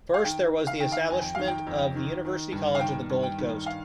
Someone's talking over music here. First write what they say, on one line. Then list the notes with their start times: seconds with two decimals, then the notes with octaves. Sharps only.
First there was the establishment of the University College of the Gold Coast.
0.14 F5
0.25 D#3 G5
0.54 D#3
0.67 F5
0.80 D#3 G5
0.92 F5
1.10 F2 G#5
1.22 G5
1.35 D#3 F5
1.48 G5
1.67 F2
1.95 D#3
2.25 D#3
2.52 G2
2.75 F5
2.81 D#3 G5
3.10 G2
3.23 G5
3.38 D#3
3.66 F5